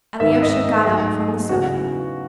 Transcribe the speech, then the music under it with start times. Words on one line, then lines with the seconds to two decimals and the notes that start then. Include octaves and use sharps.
Alyosha got up from the sofa.
0.20 G#2 D#3 G#3 B3 D#4 E5
0.42 D#5
0.85 G#2 F#3 A3 D#4 G#4
1.49 E2 C#3 E3 F#4